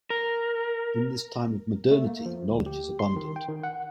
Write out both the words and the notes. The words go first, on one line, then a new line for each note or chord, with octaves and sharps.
In this time of modernity, knowledge is abundant.
A#4
A3
A#3
F3
D2
G4
C6
D#3
G5
D#3
F#5